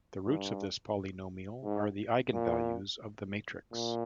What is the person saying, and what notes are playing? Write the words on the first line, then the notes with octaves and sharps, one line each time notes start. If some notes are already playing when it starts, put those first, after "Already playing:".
The roots of this polynomial are the eigenvalues of the matrix.
G2
G#2
A#2
A#2